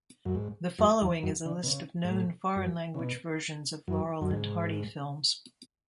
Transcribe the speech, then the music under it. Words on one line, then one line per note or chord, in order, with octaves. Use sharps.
The following is a list of known foreign-language versions of Laurel and Hardy films.
F#2
G#2
F#2
E2
F#2
D3
B2
C#3
G#2
A2
F#2
C#3
B2
F#2
F#2
G#2